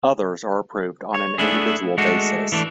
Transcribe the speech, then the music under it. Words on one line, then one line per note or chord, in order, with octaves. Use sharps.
Others are approved on an individual basis.
C#5
A3 B3 D4 E4 G#4
G#3 A3 D4 F#4 A4
E3 A3 D4